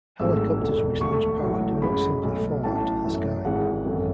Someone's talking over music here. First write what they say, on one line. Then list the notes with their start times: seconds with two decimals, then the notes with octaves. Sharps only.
Helicopters which lose power do not simply fall out of the sky.
0.20 G#1 G#2 F#3 A3 E6
0.60 E1 D2 D3
1.01 D2 D3 A3 C#6
1.41 A1 A2 F#3 A3
1.82 F#2 C#3 G#3 B5
2.23 B1 B2 A3
2.63 A1 A2 F#3 A3 A5
3.04 F#2 E3 A3
3.45 G#1 G#2 E3 G#3 F#5
3.85 G#1 F#2 D3